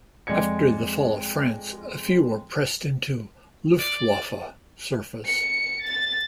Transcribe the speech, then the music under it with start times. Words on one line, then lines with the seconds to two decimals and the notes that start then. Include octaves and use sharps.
After the fall of France, a few were pressed into "Luftwaffe" service.
0.27 F2 G#3 D5 G#6 C#7
3.79 D5
5.28 C#7
5.83 A6